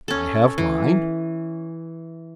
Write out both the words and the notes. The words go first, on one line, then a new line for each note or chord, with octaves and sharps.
"I have mine."
C#4 A4
E3